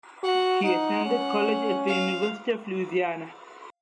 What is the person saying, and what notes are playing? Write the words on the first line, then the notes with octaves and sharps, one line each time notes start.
He attended college at the University of Louisiana.
F#4 F#5
D#4 F#5
C#4
F5